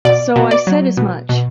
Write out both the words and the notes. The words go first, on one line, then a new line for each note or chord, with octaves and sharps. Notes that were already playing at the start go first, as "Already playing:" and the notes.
So I said as much.
B2 D5
B2
D5
F#3
B2
B2